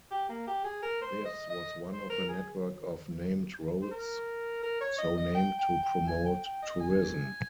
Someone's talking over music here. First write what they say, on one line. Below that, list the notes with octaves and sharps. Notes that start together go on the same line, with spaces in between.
This was one of a network of named roads, so named to promote tourism.
G4
A#3
G4
G#4
A#4
C5
D#5
D#5
C5
A#4
G#4
C5
A#4
A#4
C#5
D#5
D#5
G5
G5
G5
G#5
G5
G5
D#5
G#5